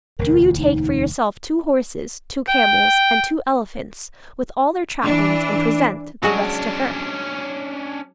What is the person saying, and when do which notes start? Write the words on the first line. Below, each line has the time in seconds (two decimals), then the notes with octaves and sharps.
Do you take for yourself two horses, two camels, and two elephants, with all their trappings, and present the rest to her.'
0.19 E1 D2 A#4
0.45 F4
0.58 D#4
2.48 G5
5.02 E3 D4
6.23 F#3 G#3 C#4 D4 F#4